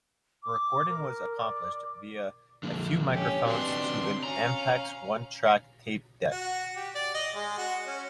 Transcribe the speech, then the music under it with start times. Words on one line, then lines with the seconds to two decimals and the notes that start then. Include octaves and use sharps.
Recording was accomplished via a few microphones to an Ampex one-track tape deck.
0.43 D6
0.89 A#4
1.37 D5
2.63 D3 F3 A#3
3.11 C#4 G4
3.46 C4 D4 F#4 B4 C6
4.23 C#4 F5 A#5
6.31 F#4
6.76 G4
6.95 D5
7.14 D#5
7.35 G#3
7.58 F#4
7.87 C#4